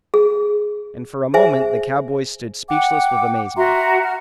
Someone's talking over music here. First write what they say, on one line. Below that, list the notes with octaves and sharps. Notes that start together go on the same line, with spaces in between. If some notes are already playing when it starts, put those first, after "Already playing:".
And for a moment the cowboys stood speechless with amazement.
G#4
G#4 C5 E5 G#5
F#5 G5 D6
F#4 E5 A#5 C6
F#5 F6